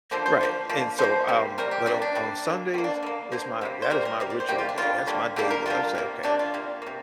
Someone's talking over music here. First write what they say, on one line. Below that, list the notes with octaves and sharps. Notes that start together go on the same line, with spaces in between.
Right and so, um, but on on Sundays, it's my that is my ritual day, that's my day that I'll say, "Okay,
D3 F3 A#3 C5
C5
D3 F3 A#3
D3 F3 A#3
D3 F3 A#3 C5
C3 G3 A#3
C3 G3 A#3 A#4
G4
C3 G3 A#3 D4
D4
C3 G3 A#3
D3 A#3
D3 A#3 C4
D4
D3 A#3
D3 A#3 C5
C3 G3 A#3
C5
C3 G3 A#3 A#4
A#4
C3 G3 A#3
D5
C5
C3 G3 A#3 G4
F4
D4
D3 G3 A#3 F4
D3 G3 A#3
D3 G3 A#3 G4
A#4
D3 G3 A#3 F4
C3 A#3
C3 A#3 D4
F4
C3 A#3
C3 A#3